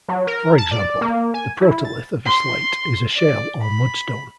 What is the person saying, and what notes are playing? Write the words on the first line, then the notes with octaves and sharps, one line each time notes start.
For example, the protolith of a slate is a shale or mudstone.
F#3
A#4
A5
D5
A#3
G#5
E4
A6
C6
D5
B5